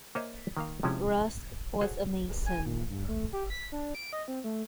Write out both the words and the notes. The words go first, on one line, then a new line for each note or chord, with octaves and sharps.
Rusk was a Mason.
A#3 C5 C#5 D#5 E5 G#5
D#3 A#3 F5
C3 F3 G#3 C#4 E4
F#4 G#4 A4 C5 C#5
G#5
A#2
G2
A3
G4
B6
D4
D7
D#5
C4
A3